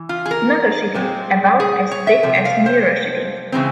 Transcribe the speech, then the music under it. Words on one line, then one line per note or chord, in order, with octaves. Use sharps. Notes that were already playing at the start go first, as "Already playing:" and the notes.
Notochaetae about as thick as neurochaetae.
Already playing: E3
F4
G#4
A#4
A#2 G#3 C4
G#4
C#5
E5
C3 F3
F5
C5
C#3 E3 G#3 C4